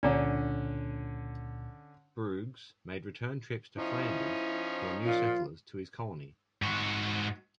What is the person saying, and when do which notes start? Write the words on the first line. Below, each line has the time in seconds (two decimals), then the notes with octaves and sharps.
Bruges made return trips to Flanders for new settlers to his colony.
0.03 C#2 A#2 D3 C#4 D4 D5 A#5
3.78 F3 C#4 D#4 E4
5.05 A#2 F3 F4
6.62 G#2 F#4